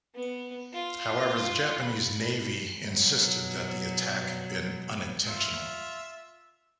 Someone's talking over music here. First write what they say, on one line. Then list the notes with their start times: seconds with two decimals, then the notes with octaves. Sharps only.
However, the Japanese navy insisted that the attack had been unintentional.
0.15 B3
0.73 F4
1.82 B5
2.87 B2 F#3
5.27 F4 E5